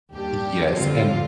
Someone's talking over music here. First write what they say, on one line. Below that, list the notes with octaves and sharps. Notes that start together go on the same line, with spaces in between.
Yes. And
D#2 D#3 G3 D4 G4
F2 D3 G3 C4 F4